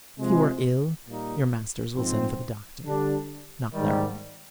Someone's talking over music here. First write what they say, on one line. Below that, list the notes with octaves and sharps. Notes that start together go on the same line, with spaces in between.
If you are ill, your masters will send for the doctor--not their own.
C3 F3 G#3
A#2 G3 A#3 D#4
G#2 F3 C4
D3 G3 D4
G#2 D#3 G3